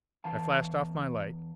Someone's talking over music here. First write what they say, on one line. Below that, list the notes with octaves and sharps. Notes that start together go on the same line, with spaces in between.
I flashed off my light.
E2 E3 F5 A5